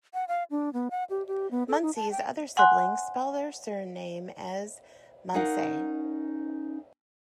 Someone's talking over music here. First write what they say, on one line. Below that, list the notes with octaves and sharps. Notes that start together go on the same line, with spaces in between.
Muncie's other siblings spell their surname as "Munsey".
F#5
F5
D4
B3
F#5
G4
G4
B3
A4
D#4
A5
G5
F#5 G#5 C6 F#6
C#4 D#4 A#4 F5 F#5